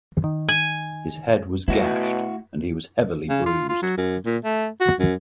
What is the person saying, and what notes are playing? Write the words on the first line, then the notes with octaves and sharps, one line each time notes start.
His head was gashed and he was heavily bruised.
D#3
G#5
B2 A3 E4 F#4
C#3
F4
F4
F#3
F#2
A#2
A3
F#4
F#2